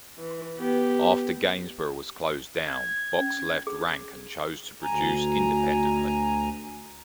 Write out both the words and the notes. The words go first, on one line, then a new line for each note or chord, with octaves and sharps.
After Gainsborough was closed down Box left Rank and chose to produce independently.
E3
B3 G4
G#6
C#4
G#4
D2 G#5 A#5